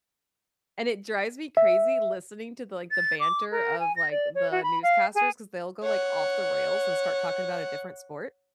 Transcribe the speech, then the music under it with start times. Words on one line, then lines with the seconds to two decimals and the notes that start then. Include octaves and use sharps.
and it drives me crazy listening to the, like the banter of, like, the newscasters 'cause they'll go like off the rails and start talking about a different sport.
1.57 E5
2.91 A6
3.19 D6
3.51 A#4
3.79 G#5
3.96 A#6
4.10 D5
4.34 C#5
4.51 F#4
4.63 B5
4.82 F5
5.14 G#4
5.83 C#5 F#5